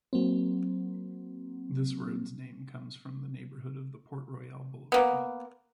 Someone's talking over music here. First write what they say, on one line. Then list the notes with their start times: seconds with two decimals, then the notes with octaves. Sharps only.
This road’s name comes from the neighborhood of the Port-Royal boulevard.
0.13 F#3 A#3 C4
4.92 A#3 B3